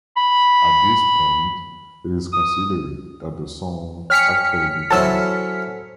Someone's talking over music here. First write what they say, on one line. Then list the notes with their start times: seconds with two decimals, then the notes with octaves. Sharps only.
At this point, it is considered that the song actually begins.
0.17 B5
2.33 D#6
4.10 C#5 G5 G#5 F6 B6 C#7
4.91 F#3 C#4 E4 A4 C5 A5 E6